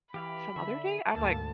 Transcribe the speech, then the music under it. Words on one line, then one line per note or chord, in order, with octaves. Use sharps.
some other day?" I'm like
E3 G4 F5 B5
D3 E5
D2 G#2 A#3 A5